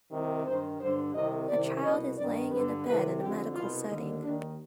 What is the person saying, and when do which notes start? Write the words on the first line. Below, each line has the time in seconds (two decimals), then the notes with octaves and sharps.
A child is laying in a bed in a medical setting.
0.12 C2 C3 D#3
0.46 G2 D#3 C5
0.80 G2 D3 C5
1.15 C2 C3 D#3 D#5
1.49 C2 C3 D#3 D5
1.83 C2 B2 D#5
2.17 G2 D#3 D5
2.51 G2 D3 B4
2.86 C2 C3 D#3 B4
3.20 F2 D3 G4
3.54 C2 B2 F4
3.88 D#2 D3 D#4
4.23 D#2 D#3 D4